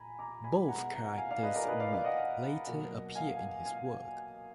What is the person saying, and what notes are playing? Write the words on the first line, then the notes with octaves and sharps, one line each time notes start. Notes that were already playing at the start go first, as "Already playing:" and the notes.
Both characters would later appear in his work.
Already playing: A#2 G#5 A#5 B5
A#5 D6
G#5 B5
B2 G#3 B3 F#5 A#5
F#5 A#5
F5 G#5
D5 F5
B4 D#5
A#4 D5
B4 D#5
D5 F5
D5 F5
D#5 F#5
B2 F#3 A#3
F5 G#5
F5 G#5